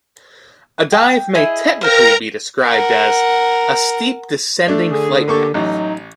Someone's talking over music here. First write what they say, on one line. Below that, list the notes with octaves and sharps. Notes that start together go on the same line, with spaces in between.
A dive may technically be described as "a steep descending flight path".
G5
E4 G#4 D#5
A#4 C5 F5 G5 A#5
A#4 F#5
A3 D4
D3 G#4
A#3 G4 A4 C#6
A1 F#3 D#4